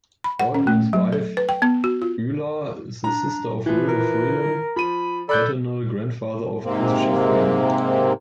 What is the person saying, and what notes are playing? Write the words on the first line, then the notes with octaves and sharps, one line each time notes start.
Baldwin's wife Beulah is the sister of Wilbur Freeland, paternal grandfather of Chrystia Freeland.
B5
F#5
C#4
A3
F#3
A4
B4
G5
B3
F#4
F4
D4 A#5
E3 F3 B4
A#4
F3 B5 D#7
A4 D5 B5 F#6 G6
G#2 C3 A#3 C4